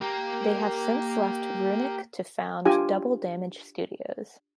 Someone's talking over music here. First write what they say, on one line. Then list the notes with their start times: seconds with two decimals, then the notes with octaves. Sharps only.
They have since left Runic to found Double Damage Studios.
0.01 A#3 G4 A#4
2.65 D4 F4 G4 G#5